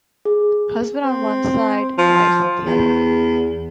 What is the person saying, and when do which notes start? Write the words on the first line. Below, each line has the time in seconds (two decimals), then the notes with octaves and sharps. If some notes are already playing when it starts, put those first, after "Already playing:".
Husband on one side, wife on the other.
0.25 G#4
1.04 C4
1.98 F3
2.66 E2